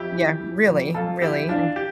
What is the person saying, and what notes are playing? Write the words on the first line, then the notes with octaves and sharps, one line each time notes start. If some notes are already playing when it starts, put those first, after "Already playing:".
Yeah, really really, and
Already playing: F2 E4 G4
E3
E3
F2
F2 F4 A4
E3 E4 G4
E3 D4 F4
G4